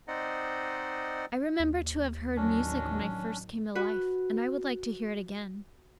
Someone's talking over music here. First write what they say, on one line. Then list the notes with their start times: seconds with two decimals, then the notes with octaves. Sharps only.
I remember to have heard music when I first came to life, and I would like to hear it again.
0.08 C4 D#4 C5 D5 D#5 F#5
1.60 D#2
2.36 A1 D#3 F#3 C#4 D4
3.75 F#4 B4